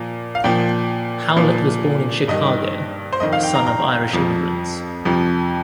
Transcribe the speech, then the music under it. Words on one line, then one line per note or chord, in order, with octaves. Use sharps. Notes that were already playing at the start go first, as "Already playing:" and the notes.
Howlett was born in Chicago, a son of Irish immigrants.
Already playing: A#2 F3
F5
A#2 F3 G5
A#2 F3
G2 D#3 D#5
C5
F2 D#3 D#5
F5
G5
A#5
A#5
F2 F3
F2 C3 F3